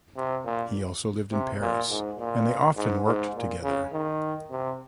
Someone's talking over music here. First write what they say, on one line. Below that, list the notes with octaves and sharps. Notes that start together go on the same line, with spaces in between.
He also lived in Paris and they often worked together.
C3
A#2
C3
A#2
G#2
A#2
G#2
G#2
A#2
C#3
D#3
C3